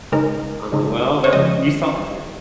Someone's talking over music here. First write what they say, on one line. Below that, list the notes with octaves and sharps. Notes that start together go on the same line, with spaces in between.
I'm like, “Well, that “you saw that?
C#3 G#3 D#4 A#4
C#3 G#3 D#4
C#5
C#3 F3 G#3 C#4 D#5